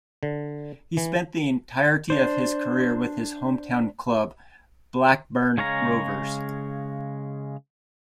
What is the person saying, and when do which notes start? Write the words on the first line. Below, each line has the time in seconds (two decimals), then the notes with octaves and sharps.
He spent the entirety of his career with his hometown club, Blackburn Rovers.
0.23 D3
0.97 E3
2.10 D4 C5
5.58 C#3 G#3 C#5 F5 A#5